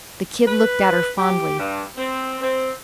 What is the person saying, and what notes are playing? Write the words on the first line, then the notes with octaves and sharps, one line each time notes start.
The Kid looked at her fondly.
B4
G4
G2
C4
C4